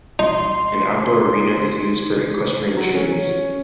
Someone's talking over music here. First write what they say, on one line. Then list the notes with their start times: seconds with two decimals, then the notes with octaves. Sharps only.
An outdoor arena is used for equestrian shows.
0.19 D#4 C6
2.77 F#3
2.95 C#4